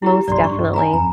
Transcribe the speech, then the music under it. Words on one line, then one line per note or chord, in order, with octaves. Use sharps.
Most definitely.
E4 G4 A#5
B1 G2 D5 C6
G2 C#6
G#5 A#5 B5
F2 A#5